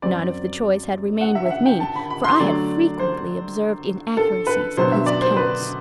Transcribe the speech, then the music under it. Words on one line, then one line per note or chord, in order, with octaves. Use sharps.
"Not if the choice had remained with me, for I had frequently observed inaccuracies in his accounts."
F#2 F#3 C4 D5
F#5
E5
E5
F#5
G5
A5
B5
B5
C6
D3 F#3 A3 D5
C5
A4
B4
B2 F#3 B3 D4 C5
E5
D5
C5
B4